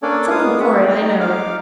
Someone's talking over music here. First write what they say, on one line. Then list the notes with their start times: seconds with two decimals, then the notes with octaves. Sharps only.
Something horrid, I know.
0.02 A#3 C#4 D4 A4 C#5 D5
0.30 G#3 A#3 B3 F5 D#6
0.60 B3 C4 F#4 G#4 E5 F#5
0.85 G5
1.01 D#4 G4 D5 A#5
1.20 D#4 F5 D6 F6